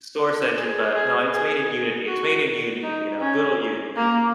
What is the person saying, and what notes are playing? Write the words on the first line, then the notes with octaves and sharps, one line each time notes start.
Source engine, but no, it's made in Unity It's made in unity, you know, good old Unity.
G#4
G#4
G#4
F#4
D#4
C#4
A#3